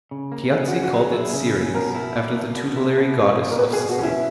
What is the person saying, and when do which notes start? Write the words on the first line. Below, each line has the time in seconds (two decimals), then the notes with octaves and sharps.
Piazzi called it Ceres, after the tutelary goddess of Sicily.
0.11 C#3
0.32 A#3
0.52 C#3 G#4
0.68 C#4 F#4
0.83 F#4
0.93 F#3 G#4
1.13 E4
1.33 C#3
1.55 C#4
1.75 B2 A#4
1.95 E4
2.16 A#3
2.36 B2
2.56 B2
2.76 E4
2.97 B2
3.18 C#4
3.37 A#3
3.51 A#4
3.57 B2 B4
3.73 G#4
3.78 B2
3.89 F#4
3.99 C#4 E4